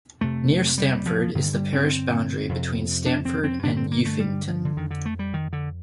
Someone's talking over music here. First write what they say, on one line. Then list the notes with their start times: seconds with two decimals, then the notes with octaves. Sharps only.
Near Stamford it is the parish boundary between Stamford and Uffington.
0.21 F2 C3 A3
0.78 G3
1.06 F3
1.35 G2 D3 D#3
1.54 G3
1.73 C4
2.49 F2 C3
3.06 D4
3.25 C4
3.44 C4
3.63 G2 D3 D4
3.77 C4
3.92 A#3
4.05 A3
4.20 G3
4.48 F3
4.65 D3
4.77 F2 D3 D#3
4.91 D3
5.06 A3
5.19 G3
5.34 D#3
5.53 D3